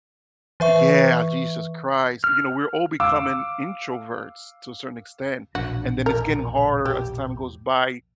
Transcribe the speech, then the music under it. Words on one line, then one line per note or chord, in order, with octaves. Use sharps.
Yeah, Jesus Christ, you know, we're all becoming introverts to a certain extent, and then it's getting harder as time goes by
E3 B4 E5 C#6
F6
F5 D6 E6
E1 A#1 D4 F#4
A#4
G4